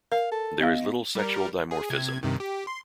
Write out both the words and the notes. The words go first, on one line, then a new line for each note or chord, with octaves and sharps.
There is little sexual dimorphism.
A#4 F5
A4
B3 D#5 F5
G3 A#4
G#4
C3 G#6
G2 C3 D#3
G4
C6